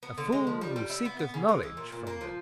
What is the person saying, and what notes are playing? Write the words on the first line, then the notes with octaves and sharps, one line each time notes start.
A fool who seeketh knowledge from them!
B3
D3
G#3
F3
G3
G3
E4
B3
B3
C#3
G#3
E3
A#2
A#2
A#3
F3